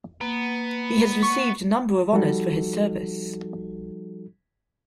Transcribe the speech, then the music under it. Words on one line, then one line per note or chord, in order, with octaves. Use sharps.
He has received a number of honours for his service.
A#3 B3
C#6
F3 G3 D#4 F#4 A4